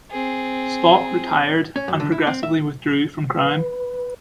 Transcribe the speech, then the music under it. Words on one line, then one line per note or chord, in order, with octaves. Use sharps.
Spot "retired" and progressively withdrew from crime.
C4 G#4
C#4
F#2
D3
E4
C4
E5
B4